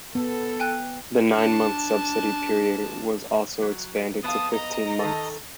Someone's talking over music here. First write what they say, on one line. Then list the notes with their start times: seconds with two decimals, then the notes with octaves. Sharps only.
The nine-month subsidy period was also expanded to fifteen months.
0.15 B3 A4
0.60 G5 G#5 F#6
1.32 D4 A5
3.62 F#3
4.24 F2 B3 F5 A5 D#6
4.54 D#5 A#5
4.99 D#3 A4